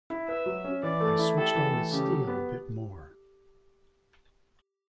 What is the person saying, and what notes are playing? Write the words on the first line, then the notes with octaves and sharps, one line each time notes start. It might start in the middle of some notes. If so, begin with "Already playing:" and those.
I switched on the steel a bit more.
E4
B4 E5
F#3
C#4
E3 D5
A3
E4
G4 A4
E3
A3
C#3 G4
F#3
B3